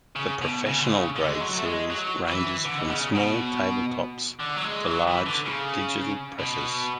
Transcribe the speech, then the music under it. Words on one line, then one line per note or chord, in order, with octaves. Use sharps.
The professional grade series ranges from small table tops to large digital presses.
C#3
B2
C#3
D3
C#3
D3
G#3
F#3
A3
G#3
F#3
E3
D3
B2
C#3
B2
D3
F#3
G#3
E3
F#3
E3
D3
C#3
B2